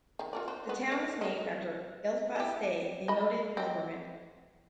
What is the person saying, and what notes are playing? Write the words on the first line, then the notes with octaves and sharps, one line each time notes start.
The town is named after Eliphaz Day, a noted lumberman.
D#3
F4 A#4 D5
D4 C5
G#3 B3 B4
D#3 B4 C#5
A#4 C#5 D#5
E3 G4
D#5 B5
C4 D#5